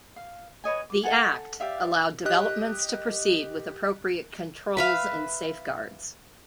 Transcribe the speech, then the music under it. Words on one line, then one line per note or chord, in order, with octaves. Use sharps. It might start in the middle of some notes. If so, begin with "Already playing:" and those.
The Act allowed developments to proceed with appropriate controls and safeguards.
F5
B4 C#5 D#5 G#5
D6
A4 F#5 G#5
G4 D5 E5 F5
G4 D#5 F#6
B4 E5 F5